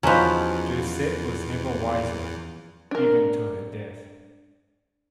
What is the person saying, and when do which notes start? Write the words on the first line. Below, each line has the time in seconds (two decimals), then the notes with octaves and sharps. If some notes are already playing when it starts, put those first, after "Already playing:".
Josette was never wiser, even to her death.
0.03 E2 F3 F#3 C#4 D#4 B4
2.91 D4 A#4